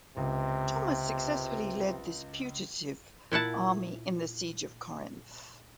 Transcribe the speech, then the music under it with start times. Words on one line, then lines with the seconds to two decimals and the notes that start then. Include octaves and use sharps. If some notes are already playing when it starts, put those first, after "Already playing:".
Thomas successfully led this putative army in the siege of Corinth.
0.17 C#2 C3
3.32 A#2 E4 F#5 A5